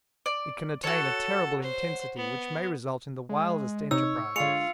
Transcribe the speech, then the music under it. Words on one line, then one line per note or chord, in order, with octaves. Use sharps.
It can attain a terrible intensity which may result in the wildest enterprises.
D5
F#4 A4 C#5
C5
B3
G#3
C3 D#4 C#5 E6
D3 G#3 F4 C#7 F7